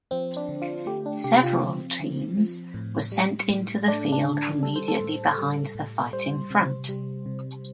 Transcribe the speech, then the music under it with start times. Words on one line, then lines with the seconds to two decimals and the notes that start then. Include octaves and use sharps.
Several teams were sent into the field immediately behind the fighting front.
0.11 F3 C4
0.37 D4
0.49 D3
0.62 F4
0.86 A3 G4
1.06 D4
1.24 C3 G4
1.43 F4
1.62 F3 C4
2.00 D3
2.37 F3
2.74 A2
3.12 G3
3.50 A2
3.88 A3 D4
4.12 D4
4.24 D3
4.63 G3 A4
4.76 C5
4.88 A4
5.01 A2
5.38 G3
5.75 A2
6.13 G3 C5
6.50 C3
6.89 G3
7.26 C3